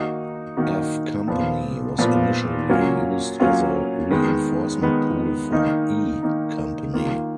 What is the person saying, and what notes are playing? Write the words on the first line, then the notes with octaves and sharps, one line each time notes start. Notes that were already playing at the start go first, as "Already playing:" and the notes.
"F" Company was initially used as a reinforcement pool for "E" Company.
Already playing: D#3 A#3 D#4 F#4
D#3 A#3 D#4 F#4
A#2 F3 B3 F4
A#2 F3 B3 F4
F#3 A#3 C#4 F4
F#3 A#3 C#4 F4
D#3 G#3 B3
D#3 G#3 B3
D#3 A#3 D#4
D#3 A#3 D#4
D#3 A#3 F4